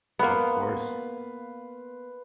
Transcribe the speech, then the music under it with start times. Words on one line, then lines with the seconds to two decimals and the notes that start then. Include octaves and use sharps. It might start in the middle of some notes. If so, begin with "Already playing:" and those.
Of course.
0.19 A#3 B3 B4 F5 C6